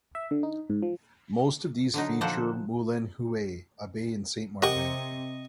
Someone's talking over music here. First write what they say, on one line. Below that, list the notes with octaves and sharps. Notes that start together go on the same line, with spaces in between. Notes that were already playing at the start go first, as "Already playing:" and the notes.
Most of these feature "Moulin Huet", a bay in Saint Martin.
E5
D3
D#4
G#2
F3
D3 F#3 D#4
A#2 F3 A#3 A4 C5 F#5
C3 G4 A#4 D#5 F#5 C#6